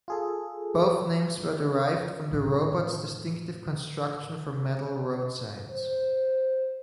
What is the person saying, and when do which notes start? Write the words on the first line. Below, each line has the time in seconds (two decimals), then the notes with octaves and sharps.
Both names were derived from the robot's distinctive construction from metal roadsigns.
0.08 F4 G#4 A4
2.31 A2 D#3
5.70 C5